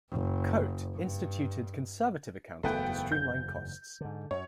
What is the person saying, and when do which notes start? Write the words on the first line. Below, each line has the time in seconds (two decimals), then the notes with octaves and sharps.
Cote instituted conservative accounting to streamline costs.
0.11 F#1
0.94 G2
2.63 F#1 E2 G#2 A3 B3 G5
3.12 G6
4.01 G#2 D3
4.31 F#2 C#5